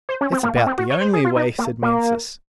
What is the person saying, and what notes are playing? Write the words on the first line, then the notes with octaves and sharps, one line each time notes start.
"It's about the only way," said Mansus.
C5
C#4
C4
A#3
A#3
C4
F#4
C#5
C5
G#4
F4
D#4
A#3
A#3